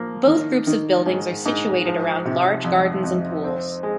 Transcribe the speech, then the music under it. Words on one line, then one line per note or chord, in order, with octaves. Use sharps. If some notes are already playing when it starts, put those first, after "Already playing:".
Both groups of buildings are situated around large gardens and pools.
Already playing: F3 A#3
D#3
D#3
G#2
G#2
F3
C3
F2
F2
C4
G#3